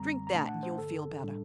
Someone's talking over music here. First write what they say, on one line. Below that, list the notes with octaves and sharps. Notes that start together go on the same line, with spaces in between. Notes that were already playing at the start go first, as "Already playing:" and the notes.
"Drink that and you'll feel better."
Already playing: G1 F#2 D3 G3 C4 A#5
A#5
A#2 A3 D4 A5
F#5
C5
G1 G2 D3 A4
A2 G3 D4